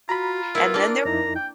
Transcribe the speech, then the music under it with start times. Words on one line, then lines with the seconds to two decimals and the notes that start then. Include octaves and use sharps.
and then there
0.09 F4 F#4 A#5 B5
0.55 B3 E4 A#4
0.74 A#3 D4
1.05 F2 D#4 E4 A#5
1.35 G5